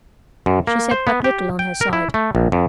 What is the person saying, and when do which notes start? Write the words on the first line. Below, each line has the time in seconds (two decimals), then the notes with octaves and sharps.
She said but little on her side.
0.46 F#2
0.67 A#3
0.91 C5
1.07 B3
1.24 G4
1.59 G5
1.81 A#4
1.93 E4
2.14 A3
2.35 A#1
2.52 F2